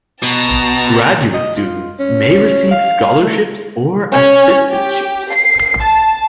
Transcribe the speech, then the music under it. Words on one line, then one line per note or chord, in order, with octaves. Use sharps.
Graduate students may receive scholarships or assistantships.
B2 A5 A#5
D#5
F4
C#4
F5
A3
C#4
G4
C7
A5